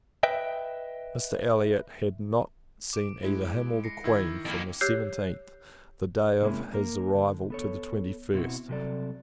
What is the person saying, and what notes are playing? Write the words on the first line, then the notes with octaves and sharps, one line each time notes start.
Mr. Elliot had not seen either him or the Queen, from the seventeenth, the day of his arrival, to the twenty-first.
B4 D#5 E5 G5
D6 D7
G#3 E4
A#6 C7 C#7
D#3 E4 E6 G#6
F2 A#3
G4 C#5 E6 F#6 G6 C7
C3 G#3 A#3 C#4 E4
A#3 A#4
D3
B3 A4 C#5
B2 C4 E4 F#4
C2 C3 F#3 G4 A4 D5